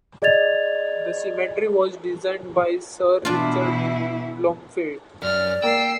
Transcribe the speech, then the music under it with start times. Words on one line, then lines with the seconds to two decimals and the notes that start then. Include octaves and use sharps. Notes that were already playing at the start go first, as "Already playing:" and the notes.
The cemetery was designed by Sir Richard Blomfield.
0.22 G#4 D5 D#5 G#6 A6 F7
3.25 B2 E3 D4 E4 F4
5.23 F#2 D5 F6
5.63 A#3 G5 E6 C7